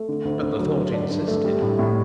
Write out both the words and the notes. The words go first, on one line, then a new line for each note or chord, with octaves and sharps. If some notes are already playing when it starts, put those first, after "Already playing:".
But the thought insisted.
Already playing: A3
D3
D2
D2
F#3
D3
D4
G2
A3
G3
A2
A2